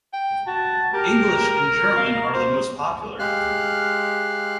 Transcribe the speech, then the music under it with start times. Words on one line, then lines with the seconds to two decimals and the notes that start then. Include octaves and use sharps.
English and German are the most popular.
0.14 G5
0.47 F#4 A5
0.94 G4 A#4
1.97 F5
2.34 C5
3.19 G#3 G4 F5 F6 F#6